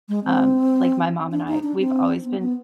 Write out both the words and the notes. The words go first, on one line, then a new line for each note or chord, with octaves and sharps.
um, like, my mom and I, we've always been
G#3
C4
D4
D#4
D4
C4
B3
B3